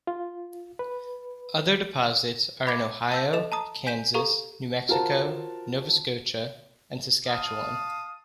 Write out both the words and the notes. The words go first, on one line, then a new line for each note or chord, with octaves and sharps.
Other deposits are in Ohio, Kansas, New Mexico, Nova Scotia and Saskatchewan.
F4
B4
B5 D6 G#6 A#6
A5 E6 G6
A4 D#5 E7
A5 A#5 D#6
G#5 G6 B6 D#7 E7 G7
G4 A4 F5 A#5 C#6
F4 F#4 A#4 C5 A5
F5 A5 D#6